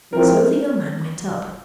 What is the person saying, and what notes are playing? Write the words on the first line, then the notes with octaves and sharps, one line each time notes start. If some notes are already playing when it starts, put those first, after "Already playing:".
So the young man went up.
F3 C4 E4 A#4